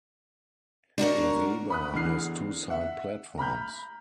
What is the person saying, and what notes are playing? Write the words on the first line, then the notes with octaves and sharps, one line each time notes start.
Awaba has two side platforms.
D4 F#4 A#4 C#5
B5 D#6 F#6
E2 D3 E3 F6 C7
E5 F#5
A#5 B5 F6 G6